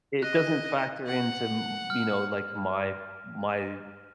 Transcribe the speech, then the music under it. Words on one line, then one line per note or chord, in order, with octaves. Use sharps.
it doesn't factor into m you know, like, my my,
D#5 F#6
F#5
F6